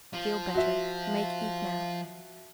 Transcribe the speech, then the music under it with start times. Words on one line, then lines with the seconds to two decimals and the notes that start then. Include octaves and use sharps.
"Feel better, make eat now."
0.13 F3
0.54 F#4 E5